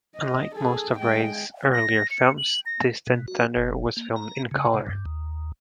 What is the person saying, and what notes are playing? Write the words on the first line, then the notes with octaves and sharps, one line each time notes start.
Unlike most of Ray's earlier films, "Distant Thunder" was filmed in colour.
D#5
G#4 A4
G#3 G5
A#6
C#7
F#7
A#6
B2
F#4
F#1
A#3
A#5
C#3
C3
G2
D#2